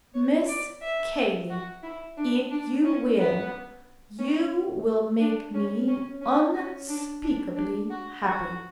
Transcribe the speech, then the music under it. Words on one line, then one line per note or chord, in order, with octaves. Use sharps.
'Miss Cayley, if you will, you will make me unspeakably happy.'
C#5
D5
E5
F#4
E4
D4
D4
C#4
B3
C#4
D4
C#4
C#4
C#4
C#4
D4
D4
D4
F#4
F#4